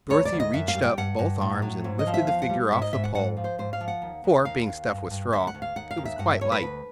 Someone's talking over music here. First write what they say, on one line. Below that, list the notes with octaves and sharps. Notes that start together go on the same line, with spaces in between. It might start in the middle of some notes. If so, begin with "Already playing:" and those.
Dorothy reached up both arms and lifted the figure off the pole, for, being stuffed with straw, it was quite light.
D2 C#5
D5
D2
D#5
F#2 E5
F5
G3
G5
G2 F#5
G2
A2
F#3
G#2
D#5
F3
E5
E2 F5
F#5
G3
G#2 E5
D#5
G#2 E5
F#5
G#2 F#5
F3
C5
G#2 C5
F5
F3
F#5
D#2
D#2
D#2 F5
D#2
G2
G2
D2 E5
F#5
D2
F5
D#2 F#5
F5
D#2
E5
G2 F#5
E5
G2 C#5
B4
D2